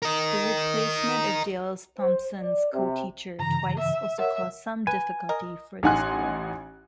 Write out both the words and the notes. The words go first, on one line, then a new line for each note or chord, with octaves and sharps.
The replacement of Dale's Thompson's co-teacher twice also caused some difficulty for the school.
A#4 D#5
C5
D5
C3
G2 C#3 E3 A#5
E5
A#4 C#5 E5 F#5
B4 G#5
A#4 D#5
A1 D#4 F#5 G#5 C6 F#6